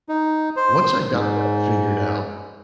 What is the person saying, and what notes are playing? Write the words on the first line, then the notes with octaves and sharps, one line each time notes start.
once I got that figured out
D#4
C5
G#2